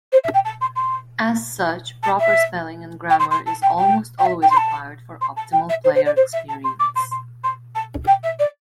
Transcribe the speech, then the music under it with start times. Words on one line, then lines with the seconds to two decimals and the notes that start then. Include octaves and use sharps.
As such, proper spelling and grammar is almost always required for optimal player experience.
0.13 C5
0.24 E5
0.34 G5
0.45 A5
0.61 C6
0.76 C6
2.03 A5
2.20 E5
3.10 G5
3.20 C6
3.31 C6
3.47 A5
3.62 G5
3.79 G5
4.19 G5
4.26 E5
4.42 G5
4.51 C6
4.57 A5
5.21 C6
5.37 A5
5.52 G5
5.69 E5
5.84 C5
5.95 C5
6.06 D5
6.17 C5
6.33 E5
6.49 A5
6.64 C6
6.80 D6
6.96 C6
7.11 C6
7.44 C6
7.75 A5
8.07 G5
8.24 E5
8.39 D5